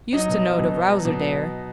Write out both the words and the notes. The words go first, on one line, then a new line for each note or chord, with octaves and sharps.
Used to know de Wowzer dere.
F#3 D#4 D#5
B2
F#3
B2
F#3
F#3
B2